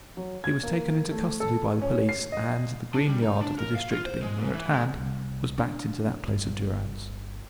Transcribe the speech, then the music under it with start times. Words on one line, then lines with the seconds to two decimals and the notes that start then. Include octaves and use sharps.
He was taken into custody by the police, and, the Green Yard of the district being near at hand, was backed into that place of durance.
0.17 F#3
0.44 G#6
0.63 A#3
1.11 A3
1.40 A4
1.82 C#4
2.09 C7
2.32 D#5
2.94 D4
3.08 G3
3.22 D#4
3.41 D4
3.59 A#4
3.75 F5
3.92 F4
4.06 C5
4.22 G#3
4.38 G#2
4.53 E3
4.71 G#3
4.96 C2
5.58 D4
6.27 G1